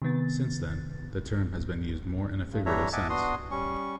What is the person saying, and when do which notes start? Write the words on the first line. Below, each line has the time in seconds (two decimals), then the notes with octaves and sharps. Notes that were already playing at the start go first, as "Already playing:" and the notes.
Since then, the term has been used more in a figurative sense.
0.02 C3 D#3 B3 A6
2.52 G2
2.66 E3 G3 D4 C#5 E5 A#5
2.93 D#5 E5 F#5 G#5 A5 D6
3.10 B3 D4 F#4 C6 D#6
3.51 G3 C#4 C#6